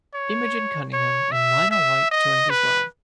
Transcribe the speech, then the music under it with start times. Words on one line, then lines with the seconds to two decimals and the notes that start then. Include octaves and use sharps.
Imogen Cunningham and Minor White joined as well.
0.14 C#5
0.93 C#5
1.32 E5
1.71 E5
2.11 D#5
2.50 B4